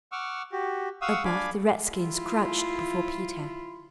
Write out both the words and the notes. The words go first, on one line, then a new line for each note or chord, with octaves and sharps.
Above, the redskins crouched before Peter.
F#5 C#6 D6 E6 F6
F#4 G4
F5 F#5 C#6 D#6 E6
D4 F5 G#5 B5 D6
E4 F4